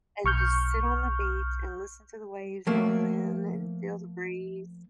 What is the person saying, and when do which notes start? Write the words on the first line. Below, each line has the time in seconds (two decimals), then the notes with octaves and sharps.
and just sit on the beach and listen to the waves roll in and feel the breeze.
0.25 B1 C#6 F6 G6
2.67 F3 A3 A#3